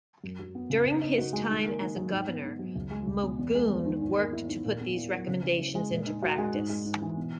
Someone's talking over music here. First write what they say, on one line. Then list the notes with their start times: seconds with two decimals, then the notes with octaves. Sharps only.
During his time as a governor, Magoon worked to put these recommendations into practice.
0.24 F#2
0.39 F#3
0.55 B3
0.70 C#3
0.86 C#3
1.01 D#4
1.18 F#4
1.33 G#3
1.50 D#3
1.65 A#3
1.81 D#3
1.96 F#3
2.12 G#2
2.28 B3
2.43 D#4
2.59 F#3
2.76 C#2
2.91 G#3
3.07 C#2
3.23 B2
3.39 E2
3.55 G#3
3.70 E2
3.86 D#3
4.01 G#2
4.17 A#3
4.33 E4
4.49 D#3
4.64 A#2
4.81 B3
4.97 E4
5.12 F#3
5.28 C#3
5.44 C#4
5.59 E4
5.75 G#3
5.91 A#2
6.06 D#4
6.22 F#4
6.38 G#3
6.54 G#2
6.69 G#3
6.85 G#2
7.02 E3
7.17 B2